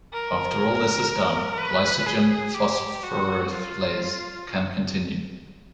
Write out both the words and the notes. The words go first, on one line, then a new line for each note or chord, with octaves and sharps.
After all this is done, glycogen phosphorylase can continue.
A#4
B4
G#4
G4
F#4
F4